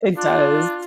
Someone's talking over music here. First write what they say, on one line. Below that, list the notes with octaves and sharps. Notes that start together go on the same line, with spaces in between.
It does.
D4 F4